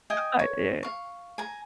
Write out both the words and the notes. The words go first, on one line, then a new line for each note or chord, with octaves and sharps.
I yeah.
D#5 G5 G#5 D#6
C#5
F5 C#6
G#5 A#5